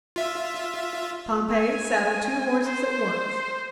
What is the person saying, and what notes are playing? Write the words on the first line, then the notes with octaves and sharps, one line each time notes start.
Pompey, saddle two horses at once.
F4 E5
G#5
C5